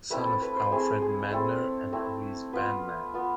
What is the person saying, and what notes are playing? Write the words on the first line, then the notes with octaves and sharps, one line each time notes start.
Son of Alfred Meidner and Elise Bandmann.
A3 C4 E4 B4
A4
B4
C5
A3 C4 E4 G#4
G#4
A3 C4 E4 A4
A3 C4 E4
B3 F4 B4
B3 F4